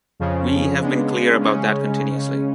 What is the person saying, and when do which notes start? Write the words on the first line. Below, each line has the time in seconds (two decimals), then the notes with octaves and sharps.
We have been clear about that continuously.
0.20 F2 C#3 F3
0.80 C#3 G#3 B3 D4
1.41 C#3 G#3 C#4